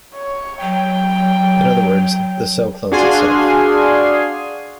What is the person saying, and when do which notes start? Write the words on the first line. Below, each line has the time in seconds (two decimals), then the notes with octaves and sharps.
In other words, the cell clones itself.
0.14 C#5
0.61 F#3 G5
2.92 D4 F#4 G#4 F5 G#5 C6